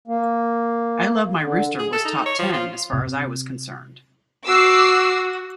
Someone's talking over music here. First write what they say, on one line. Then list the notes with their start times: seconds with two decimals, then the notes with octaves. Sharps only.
'I Love My Rooster' was Top Ten as far as I was concerned.
0.08 A#3
1.40 D3
1.79 G#4
1.93 A4
2.05 D#4
2.26 C#5
2.39 F3
2.53 F4
2.93 C3
4.47 F#4 D6 E6 C7